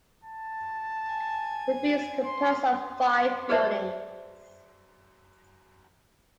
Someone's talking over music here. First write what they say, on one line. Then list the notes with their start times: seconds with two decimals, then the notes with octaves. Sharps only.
The V is composed of five buildings.
0.24 A5
1.09 G#5
2.25 C6
3.49 G#4 B4 C5 D5 E5 A5